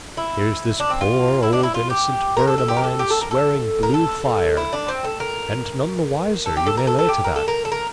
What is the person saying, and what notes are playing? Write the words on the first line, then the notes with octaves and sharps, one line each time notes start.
Here's this poor old innocent bird o' mine swearing blue fire, and none the wiser, you may lay to that.
E4
D4
C4
F4
E4
D4
E4
F4
G4
A#4
A4
A4
G4
A#4
A4
G4
A4
A#4
A4
A#4
A4
E4
D4
C4
A4
A#4
A4
G4
A4
A#4
A4
A4
G4
A#4
A4
A#4
A4
A#4